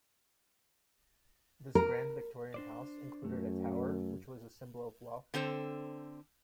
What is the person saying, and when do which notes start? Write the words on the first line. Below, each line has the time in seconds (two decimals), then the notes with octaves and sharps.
This grand Victorian house included a tower, which was a symbol of wealth.
1.75 A#4
2.54 D4 C5 D5
3.25 F#2 A3
5.34 D3 C4 A4 C5